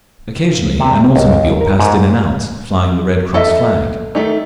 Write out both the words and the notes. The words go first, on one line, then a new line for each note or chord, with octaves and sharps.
Occasionally an automobile passed in and out, flying the Red Cross flag.
C3
G#5
C#2
A#4
G#2
A4 D#5 E5
D#3 A3 D#4